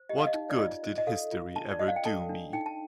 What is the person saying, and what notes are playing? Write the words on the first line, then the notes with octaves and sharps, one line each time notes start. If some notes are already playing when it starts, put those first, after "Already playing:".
What good did history ever do me?
Already playing: C5
G4 D#5
F5
D#5
D#4
D5
F4 D#5
C5
D#5
A4 F5
F4
D4 A5
D5
C5 D#5
F5
G5
A4 A5
D4
D#4 G5
A5